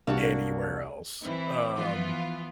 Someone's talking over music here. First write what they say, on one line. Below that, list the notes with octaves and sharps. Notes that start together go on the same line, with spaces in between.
anywhere else. Um.
C2 A#3 D4 F#4
E3 C4 E4
E3 F3 B3 F4